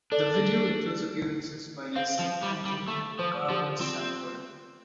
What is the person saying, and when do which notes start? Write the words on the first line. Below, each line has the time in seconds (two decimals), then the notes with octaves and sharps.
The video includes appearances by Lysette Anthony and Garwin Sanford.
0.12 D4 A4 D5
1.96 C4 C5 F5
2.19 F3
2.43 G3
2.65 G3
2.88 A3
3.19 F3 C5
3.49 F3 G4
3.80 C4 F4